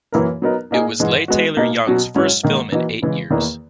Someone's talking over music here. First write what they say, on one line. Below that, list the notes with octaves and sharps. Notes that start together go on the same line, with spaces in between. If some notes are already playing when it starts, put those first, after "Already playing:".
It was Leigh Taylor-Young's first film in eight years.
F#2 E3 A#3 E4 A#4
F#3 B3 D#4 A#4
A#2 A#3 D#4 G#4
G#2 E3 G#3
G#3 B3 F#4
B2 A#3 D#4
B2 F#3 C#4 F#4
G#2 F#3 C#4 E4
G#2 D#3 A#3
E3 A#3 D#4 F#4
C#3 E3 G#3
E2 D#3 A#3 E4 B4